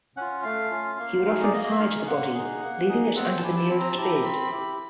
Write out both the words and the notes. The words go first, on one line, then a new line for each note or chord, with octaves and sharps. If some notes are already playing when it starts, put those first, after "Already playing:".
He would often hide the body, leaving it under the nearest bed.
C#4 F4 F#5
A3 F5
C#4 F4
A#3
D#4 G#4
D5
A#3 D#5
D#5
E5
D#4 G#4 F5
A#3 F#5
D#4 G#4
A#3
D#4 G#4
C4 F#5
G5
A5
E4 G4 G#5
A5
C4 B5
A#5
A5
E4 G4 A#5
A#5
C4 B5
E4 G4